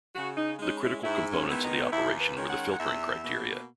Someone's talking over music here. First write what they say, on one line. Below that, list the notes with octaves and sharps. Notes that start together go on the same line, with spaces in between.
The critical components of the operation were the filtering criteria.
C#3 F#4
D#4
G#3 C#4 D#4
E4
G#2 E4
C#4
D#3 G#3 B3 E4
D#4
D#2 E4
B4
D#3 G#3 C#4
F#5
F#5
E2 E5
B2 A#3